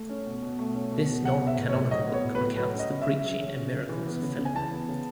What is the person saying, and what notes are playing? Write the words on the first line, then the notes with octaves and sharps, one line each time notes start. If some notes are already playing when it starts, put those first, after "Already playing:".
This non-canonical book recounts the preaching and miracles of Philip.
Already playing: A3
C#4
B2
B2
A3
C#4
B2
B2
F#3 F#5
B3
E5
A2
C#5
A2
F#3 D#5
B3
C#5
A2
B4
A2
F#3 B4
C#4
D#5
C#3
C#3 E5
F#3
C#4
C#3
C#3
E3
B3
C#3
C#3
G#5
E3 A5
B3
C#3